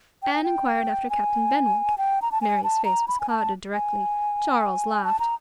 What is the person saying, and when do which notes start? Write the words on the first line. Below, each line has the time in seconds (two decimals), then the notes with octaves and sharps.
Anne enquired after Captain Benwick, Mary's face was clouded directly. Charles laughed.
0.23 G5
0.34 G#5
0.44 G5
1.10 G#5
1.98 G5
2.22 A#5
2.32 A5
2.42 G#5
2.64 A5
2.85 A#5
3.08 B5
3.20 G#5
3.29 A5
3.73 G#5
5.04 A5
5.19 A#5